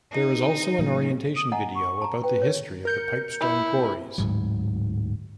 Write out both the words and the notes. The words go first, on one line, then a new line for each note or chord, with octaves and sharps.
There is also an orientation video about the history of the pipestone quarries.
D#4
A2 F#3 A#3
D#6
D#5 F#5 G#5 A#5
C#6
A5 A#5
B4 G5
C#5
A#4 G6 C#7
E4
D1 G#2 F#3